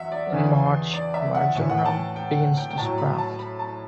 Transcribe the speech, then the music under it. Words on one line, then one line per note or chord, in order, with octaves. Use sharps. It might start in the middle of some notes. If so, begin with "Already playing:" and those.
In March, marjoram begins to sprout.
Already playing: E2 F#3 E5 F#5
D5
E2 C#3 E3
D5
E5
F#5
A2 E3
F#5
G5
A5
G5
G5
G5
A2 F#3 A5
B5
A5
B5
A5